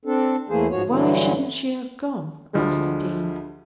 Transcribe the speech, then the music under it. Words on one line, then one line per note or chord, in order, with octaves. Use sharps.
"Why shouldn't she have gone?" asked the Dean.
C4 D4 A4
E2 E3 A3 A#3 G#4 C5
G#2 F3 F#4 C#5
G2 D3 E3 F#3
D2 D3 F3 G3 G#3